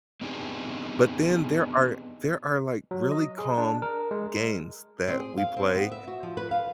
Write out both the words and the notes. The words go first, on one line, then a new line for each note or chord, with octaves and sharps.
But then there are there are like, really calm games that we play
B3 C4 D4 D#4 G4 G#4
F#3
D#5
G#4
D4
A#4
G#3
C4
G#4
F5
C4
B3
E5
F#4
F3
B4
F5